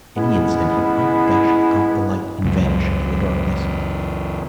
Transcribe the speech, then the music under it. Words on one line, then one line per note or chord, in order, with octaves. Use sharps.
Any instant he might dash out the light and vanish in the darkness.
G#3 B3 C#4 E4
C#2 F#2